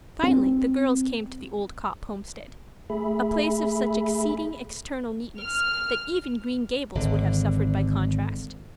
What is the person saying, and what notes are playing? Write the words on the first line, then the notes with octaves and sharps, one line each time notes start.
Finally the girls came to the old Copp homestead . . . a place of such exceeding external neatness that even Green Gables would have suffered by contrast.
C4
A3 G#4 E5 B5
F6
G#1 D3